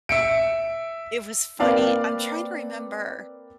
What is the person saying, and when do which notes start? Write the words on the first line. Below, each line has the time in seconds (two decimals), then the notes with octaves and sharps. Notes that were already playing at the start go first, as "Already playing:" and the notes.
It was funny. I'm trying to remember
0.09 E5 C#7 D7
1.60 A#3 C4 B4 D5 F5 A5